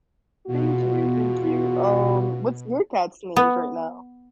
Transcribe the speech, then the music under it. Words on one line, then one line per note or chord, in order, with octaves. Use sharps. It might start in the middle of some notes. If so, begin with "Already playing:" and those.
Thank you, thank you. Um, what's your cats' names right now?
E2 B2 F4 F#4
B3